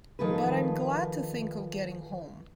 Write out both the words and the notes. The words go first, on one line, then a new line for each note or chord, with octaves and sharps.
But I’m glad to think of getting home.
D#3 F3 A3 G#4 B4